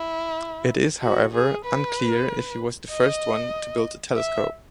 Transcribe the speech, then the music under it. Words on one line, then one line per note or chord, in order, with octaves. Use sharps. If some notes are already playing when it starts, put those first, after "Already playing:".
It is however unclear if he was the first one to build a telescope.
Already playing: E4
F#4
G#4
B4
D#5
E5